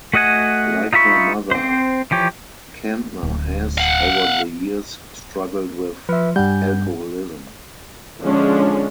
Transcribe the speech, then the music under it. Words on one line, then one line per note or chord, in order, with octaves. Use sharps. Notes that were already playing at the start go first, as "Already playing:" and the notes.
Like her mother, Kantner has, over the years, struggled with alcoholism.
A3 F#4 D#5 F#5 G#5
D#4 F4 E5 B5 C#6
C4 C5
E3 F3 G4 C#5
D1
F5 F#5
F3 B4 E5 F6
G2 G3 F#5 G#5 G6
D3 F3 G#3 C#4 D4